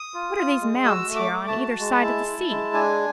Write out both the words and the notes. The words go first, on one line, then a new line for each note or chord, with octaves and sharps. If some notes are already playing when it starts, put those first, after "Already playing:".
"What are these mounds here on either side of the sea?"
Already playing: D#6
F4
F4
G#3
F#4 E6
A3
D6
A3
A5
F#4
G#3
E4
E4
G#3
D4 G#5